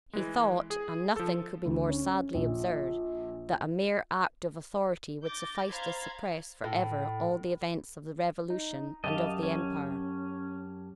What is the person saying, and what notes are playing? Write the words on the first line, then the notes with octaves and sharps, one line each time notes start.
He thought, and nothing could be more sadly absurd, that a mere act of authority would suffice to suppress forever all the events of the Revolution and of the empire.
E3 G#3
G#4
F3 A4
D2
C#4
A#1
D6 G6 A6 A#6
C5 F5 A#5 B5 G#6 A6
A2
D#4
F#2 G4 D#5 F5 A5
C#4